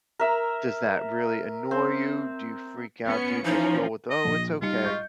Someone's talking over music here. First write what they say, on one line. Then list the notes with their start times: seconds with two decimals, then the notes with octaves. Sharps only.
Does that really annoy you, do you freak out, do you just roll with, "Oh, it's okay,"
0.19 A#4 E5 A#5
1.71 C4
3.06 B3 C#4 C#7
3.45 E3 F3 C#4 D#4
4.10 D#5
4.25 A#1
4.62 G3 D#4 F4 C#7
4.84 D#5 C#6 G6